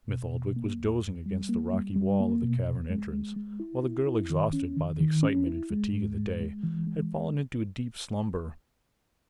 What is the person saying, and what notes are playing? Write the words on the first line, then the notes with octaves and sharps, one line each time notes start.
Smith-Oldwick was dozing against the rocky wall of the cavern entrance, while the girl, exhausted by the excitement and fatigue of the day, had fallen into deep slumber.
B2
B2
A#3
E2
E2
G3
A#3
G3
G3
A#3
B2
E2
G#3
G#3
G#3
E4
E4
E4
D#3
C#4
D#3
D#3
C#4
E4
G#3
G#2
G#3
G#3
E3
G#3